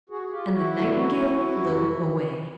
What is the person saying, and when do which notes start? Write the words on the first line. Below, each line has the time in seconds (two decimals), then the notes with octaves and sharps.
And the Nightingale flew away.
0.10 F#4 G#4
0.22 G#4
0.31 F4 G4
0.53 E4 F#4
0.74 G2 D3 F#3 A3
1.60 F2 C3 E3